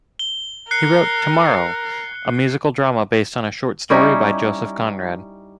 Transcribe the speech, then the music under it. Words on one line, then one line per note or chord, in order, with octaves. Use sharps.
He wrote "Tomorrow", a musical drama based on a short story by Joseph Conrad.
G7
A#4 F#6 C7 C#7
G3 C#4 D#4 E4